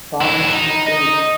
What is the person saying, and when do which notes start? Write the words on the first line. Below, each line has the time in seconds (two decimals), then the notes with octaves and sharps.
Comics imprint.
0.21 F#3 E4
0.52 D#4
0.86 D#5